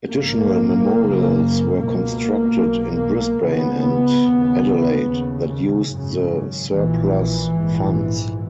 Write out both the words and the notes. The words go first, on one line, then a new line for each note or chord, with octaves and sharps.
Additional memorials were constructed in Brisbane and Adelaide that used the surplus funds.
A#1 G#2 A#3
F#1 F#2 C#3
C#2 B2 A#3
B1 B2
C#2 C#3 B3
D#2 C#3
D#2 C#3
G#1 F#2 C#3
A#1 A#2 E3
A#1 G#2